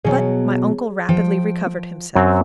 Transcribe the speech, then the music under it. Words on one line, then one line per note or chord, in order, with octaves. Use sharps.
But my uncle rapidly recovered himself.
B2 F#3 G#4 C#5
F3 G5
F#2 F#3 C4